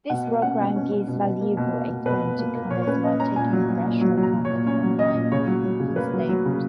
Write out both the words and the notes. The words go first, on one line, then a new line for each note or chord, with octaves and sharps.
This program gives valuable experience to cadets while taking pressure from the front-line constables.
B2 F#5
A#3
C#4 F#5
B2
C#4
C#4
B2
B2
A#3
B2
A#3
B2
B2 B4
B2
A#3
A#3
A#2 C#5
C#5
C#4 B4
C#4 D#5
C#4 A#5
A#2 G#5
F#3
F#3
A#2
F#3
F#3
A#5
F#3
C#5
A#2
C#4 C#5
F#3
C#4 D#5
A#2
C#3 C#5
F#3
F#3
C#3
A#3 B4
F#3
F#3
C#3